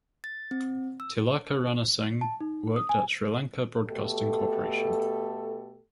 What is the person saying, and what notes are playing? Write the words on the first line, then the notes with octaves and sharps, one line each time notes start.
Tilaka Ranasinghe worked at Sri Lanka Broadcasting Corporation.
A6
C4
E6
A5
D#4
D#6
G#5
B2 A3 G4 A4